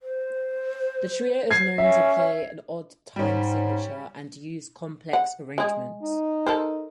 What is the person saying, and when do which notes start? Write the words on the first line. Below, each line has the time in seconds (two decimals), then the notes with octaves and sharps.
The trio is known to play in odd time signatures and use complex arrangements.
0.01 C5
1.51 G#6 C7
1.78 C#4 E5
3.16 G#2 G3 C#4
5.13 F#5
5.58 G#3 G#4
6.03 D#4
6.47 A4 A#4 C5